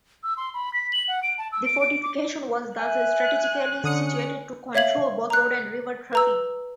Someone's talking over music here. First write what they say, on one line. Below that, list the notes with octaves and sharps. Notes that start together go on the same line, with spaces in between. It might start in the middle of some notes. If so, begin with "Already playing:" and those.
The fortification was thus strategically situated to control both road and river traffic.
E6
C6
B5
B6
F#7
F#5
D7
A5
E6
D7
D7
D6
E5 G#5 F#6
D3 C#4 D#6 C#7
C#5 E5 F5 G#6 F#7
A#5 F#6
B4 A#5 E6